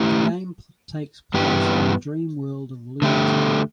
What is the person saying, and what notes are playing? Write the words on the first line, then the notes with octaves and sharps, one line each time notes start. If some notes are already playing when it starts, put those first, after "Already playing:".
The game takes place in the dream world of Lunatea.
Already playing: A3 E4 G4
G2 E3 B3 G4
D3 A3 G4